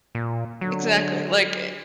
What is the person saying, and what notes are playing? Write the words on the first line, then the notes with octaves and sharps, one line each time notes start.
Exactly. Like,
A#2
D3 F#3